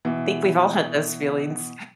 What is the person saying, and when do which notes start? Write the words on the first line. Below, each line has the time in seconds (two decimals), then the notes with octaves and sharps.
I think we've all had those feelings.
0.05 B2 E3